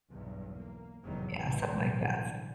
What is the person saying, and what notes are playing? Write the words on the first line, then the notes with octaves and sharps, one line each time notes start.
Yeah, something like that's
B1 E2 G2
A#3
F1 E2 A2 D#3 F#3
A1 D2 A#2 E3 G3
B1 E2 A2 D3 G3
D3